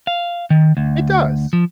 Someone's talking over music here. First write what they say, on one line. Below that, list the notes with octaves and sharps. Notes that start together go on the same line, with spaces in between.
It does.
F5
D#3
D2
F3